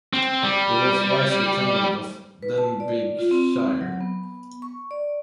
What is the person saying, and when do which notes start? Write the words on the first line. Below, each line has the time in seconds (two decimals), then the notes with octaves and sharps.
He was Vice-Lieutenant of Denbighshire.
0.13 C4
0.44 G3
2.43 B4
2.58 A5
2.80 D5
3.19 F4
3.31 C4
3.81 F#3
4.01 B3
4.62 C#6
4.91 D5